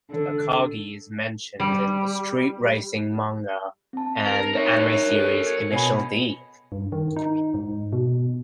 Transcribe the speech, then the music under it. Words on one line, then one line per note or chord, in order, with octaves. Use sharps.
Mount Akagi is mentioned in the street racing manga and anime series "Initial D".
D3
G3
C4 A5
A#4
D#4 A#4 C#5 E5
A4
G#6 C#7
B2 C#5 G#5 B5
G2
D#3
D#4
G#2
B2